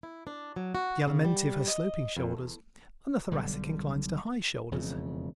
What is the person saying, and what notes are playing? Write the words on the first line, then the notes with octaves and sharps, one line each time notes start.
The Alimentive has sloping shoulders and the Thoracic inclines to high shoulders.
E4
D4
F#3
F#4
C#3
G3
D#5
F2
E2
B1 D3 G3
E1 F2 C#3